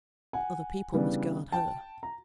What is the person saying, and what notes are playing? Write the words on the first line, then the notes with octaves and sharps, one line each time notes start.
Other people must guard her.
F#5 G#5
C#3 E3 G3 B3 D4
G5 A5
A#5